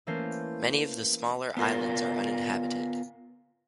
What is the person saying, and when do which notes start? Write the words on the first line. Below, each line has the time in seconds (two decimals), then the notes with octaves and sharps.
Many of the smaller islands are uninhabited.
0.07 E3 A3 A#3 C#4 C5
1.57 B3 F4 A#4